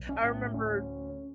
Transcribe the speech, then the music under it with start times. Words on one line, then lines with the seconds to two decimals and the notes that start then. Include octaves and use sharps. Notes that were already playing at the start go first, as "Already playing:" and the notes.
I remember
Already playing: B1
0.09 C#4
0.24 A2
0.54 D2 C#4